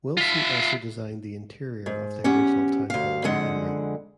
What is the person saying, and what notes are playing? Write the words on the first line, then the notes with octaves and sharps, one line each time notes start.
Wilson also designed the interior of the original Town Hall meeting room.
F4 E5
G#2
E2 C#4 G4 F#5
D2 F5
F2 D3 G#3 F#5